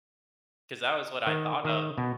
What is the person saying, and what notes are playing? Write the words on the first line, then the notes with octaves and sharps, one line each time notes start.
'Cause that was what I thought of
D#3
D#3
B2